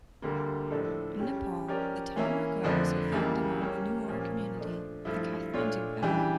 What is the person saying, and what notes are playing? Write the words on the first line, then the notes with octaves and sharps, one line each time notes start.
In Nepal, the Tamrakars are found among the Newar community of the Kathmandu Valley.
D2 D3 G3 A#3
A2 F3 A3 D4 A4
C#3 G3 C#4 G4
F3 C#4 G4 A#4 D5
E3 A#3 C#4 E4 A#4
F2 D3 F3 A3 D4
C#2 C#3 E3 G3 A#3
G3 A#3 C#4
A#2 F3 A#3 C#4
F3 A3 D4
G2 F3 A3 E4
A#2 A3 D4 F4 C#5
C#3 E3 G3 D4 G4